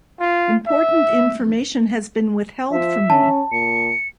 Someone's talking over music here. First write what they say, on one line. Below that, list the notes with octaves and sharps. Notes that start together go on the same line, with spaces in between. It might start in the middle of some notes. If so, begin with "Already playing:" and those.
Important information has been withheld from me.
F4
E5
F3 E5
C#4 A5
A#2 C#7